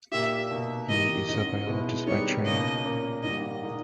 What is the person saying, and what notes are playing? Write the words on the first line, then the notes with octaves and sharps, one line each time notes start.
He is a biologist by training.
A#2 A#3 D#4 G4 E5
B2 A#3 D#4
E2 D#3 A#3 D#4 G4 D#5
G#2 D#3 G#3 C#4 D#5
B2 G#3 B3 E4
D#3 G3 B3 D#4 C#5
C#2 B2 A#3 C#4 D#5
A#2 A#3 C#4
G#2 D#3 G3 A#3 D#5
A#2 G#3 D#4